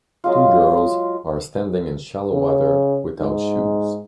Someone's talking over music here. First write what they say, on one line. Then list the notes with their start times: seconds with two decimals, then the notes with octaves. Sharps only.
Two girls are standing in shallow water without shoes.
0.24 F#3 G#3 F4
2.33 C#3
3.20 G#2